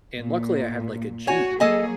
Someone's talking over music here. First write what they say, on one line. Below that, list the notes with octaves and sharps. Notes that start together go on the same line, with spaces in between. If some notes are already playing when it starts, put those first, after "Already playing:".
and luckily I had, like, a Jeep
A#2
F#4 C#5 G#5
F#3 A#3 G#4 A4 D#5 G#5